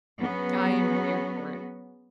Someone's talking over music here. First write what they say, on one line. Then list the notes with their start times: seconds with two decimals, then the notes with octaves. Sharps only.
"I am here for it."
0.18 F#3 B3 C#4 F#4 G#4